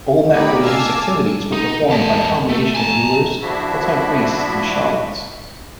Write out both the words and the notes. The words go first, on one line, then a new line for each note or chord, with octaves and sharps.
Olmec religious activities were performed by a combination of rulers, full-time priests, and shamans.
A2 C3 D#4 G4 D5 B5
F5 G#5 A5 D6 E6
D#4
E2 A5
A3
G#5 A5
F3 D4 E4 F#4 E5